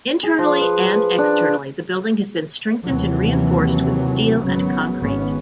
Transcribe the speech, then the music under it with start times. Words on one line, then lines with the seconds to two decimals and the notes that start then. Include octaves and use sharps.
Internally and externally the building has been strengthened with reinforced steel and concrete.
0.23 G#4
0.38 F3
0.61 B4
0.95 B4
1.18 D4
2.85 D#2 C3 E3 F#3
4.43 G#1 C#3 F#3 B3
5.00 G#1 B3 C#4